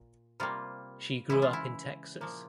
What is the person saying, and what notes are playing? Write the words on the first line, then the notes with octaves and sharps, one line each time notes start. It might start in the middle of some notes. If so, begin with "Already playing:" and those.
She grew up in Texas.
Already playing: A#2
C3 G3 A#3 F4
C#3 E3 G#3 E4
F4
E4
A#2 F3 A#3